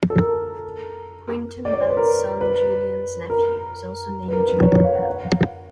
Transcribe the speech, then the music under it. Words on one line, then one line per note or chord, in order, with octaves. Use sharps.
Quentin Bell's son, Julian's nephew, is also named Julian Bell.
A4
A#4
D5
C#5
C5
B4
A#4
B4
A#4
B4
A#4
B4
C#5
C#5
F5
F#5
F5
F#5